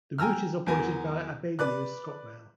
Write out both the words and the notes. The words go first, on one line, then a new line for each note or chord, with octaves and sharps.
The route is operated by Abellio ScotRail.
G5 G#5 A#5 E6 F6
E2 F#3 A#4 G#5 A#5
B4 D5 F#6